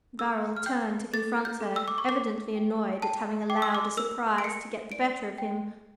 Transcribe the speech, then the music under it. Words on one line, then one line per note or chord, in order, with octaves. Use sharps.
Barold turned to confront her, evidently annoyed at having allowed a surprise to get the better of him.
A4 E6
F6
G5 G6
A4 A6
G6
A4
E6
D6
C#6
A#4 D6
G5
G5 A5
G5 D6
E6
D6
A#4 E6
D7
A#4 C#7
D5 D7
G5